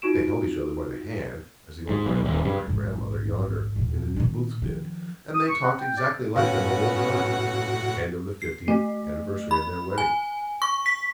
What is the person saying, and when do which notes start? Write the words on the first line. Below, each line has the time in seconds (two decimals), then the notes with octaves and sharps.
They held each other by the hand, as the old grand-father and grand-mother yonder in the New Booths did, and they talked exactly like them of old times, and of the fiftieth anniversary of their wedding.
0.02 D#4 F4 F#4 C#6 D7 E7
1.89 G#2
2.06 B1
2.25 D#1
2.45 G2
2.67 A#1 G#2
3.76 D#2 A#2
4.16 A#2 D#3
4.62 D#3 F3
5.34 D#6
5.49 C#6
5.63 F#5
5.79 G5
5.97 D5
6.36 A2 B3 C#4 F#4 F5 F#5
8.42 C7
8.68 A3
9.51 B5
9.98 G#5
10.62 C#6
10.86 B6